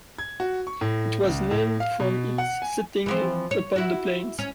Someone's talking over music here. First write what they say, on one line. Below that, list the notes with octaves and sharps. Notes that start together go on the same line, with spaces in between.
It was named from its setting upon the plains.
G#6
F#4
C#6
A2
C#2
A2
F5
B2
F#5
G#5
E3 F3 C4
C#5
E4 F#4
C#4